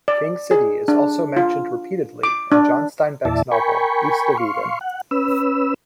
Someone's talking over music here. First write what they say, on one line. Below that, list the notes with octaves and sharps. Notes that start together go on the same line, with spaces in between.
King City is also mentioned repeatedly in John Steinbeck's novel, "East of Eden".
D5
G#4
D4
F4
D6
D4
E2 A#2 E4 D5 E5 A5
A#4 G5 G#5 B5 C#6
F5 C6 C#6
F#5
C#4 B4 E6